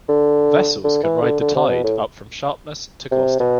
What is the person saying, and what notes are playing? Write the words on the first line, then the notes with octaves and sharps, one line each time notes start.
Vessels can ride the tide up from Sharpness to Gloucester.
D3
D3
E3
D3
D3
C3
B2
A2
C3
B2